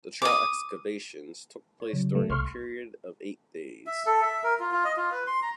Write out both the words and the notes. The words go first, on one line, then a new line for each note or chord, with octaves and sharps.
The trial excavations took place during a period of eight days.
D6 D#6
C#5
C#3 F#3
A3
C2 C6 C#6 F6
E5
A4
E5
A#4
F4
F4
D#5
F4
B4
C6
A#5